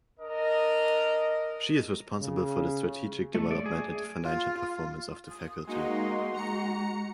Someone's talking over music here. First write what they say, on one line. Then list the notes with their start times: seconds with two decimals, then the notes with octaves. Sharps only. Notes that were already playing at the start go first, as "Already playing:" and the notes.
She is responsible for the strategic development and financial performance of the Faculty.
0.20 D4 A#4 D#5
2.20 C#3
3.35 A3
3.51 D5
3.66 G#4
4.23 F4
5.29 D#6
5.67 G#3 A#3 D#4 F#4 C6
6.34 G#3 A#5 C#7